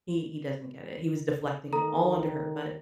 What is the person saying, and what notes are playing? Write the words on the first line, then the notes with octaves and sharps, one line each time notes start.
He he doesn't get it. He was deflecting it all onto her, but
D#3 A4 A#5